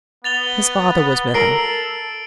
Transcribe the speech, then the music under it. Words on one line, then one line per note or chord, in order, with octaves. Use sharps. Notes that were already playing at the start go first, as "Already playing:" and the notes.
His father was with him.
B3 A6 F7 G7
A4 A#4 C7 D7 F#7